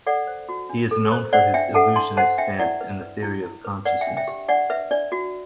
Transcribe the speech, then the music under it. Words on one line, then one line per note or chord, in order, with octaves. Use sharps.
He is known for his "illusionist" stance in the theory of consciousness.
A4 D5 F#5
C5
F#4
D4
A4
C5
C5 D5 F#5
D4 E5 G5
A4 F#5 A5
D4 A5 C6
C5 F#5 A5
D4 E5 G5
E4 D5 F#5
B4
B4
E4
E4
B4
B4 D5 F#5
E5 G5
D4
E5 G5
G4
D4 D5 F#5
B4 E5
D4 D5
F#4